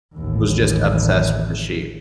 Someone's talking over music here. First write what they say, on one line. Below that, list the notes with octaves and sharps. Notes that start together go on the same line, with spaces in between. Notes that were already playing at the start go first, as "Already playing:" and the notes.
was just obsessed with the sheep.
A1 D#2